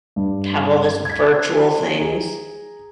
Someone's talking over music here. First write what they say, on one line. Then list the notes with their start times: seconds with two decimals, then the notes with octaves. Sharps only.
have all this virtual things.
0.16 G2
1.05 G#6 B6
1.99 G#4 A#5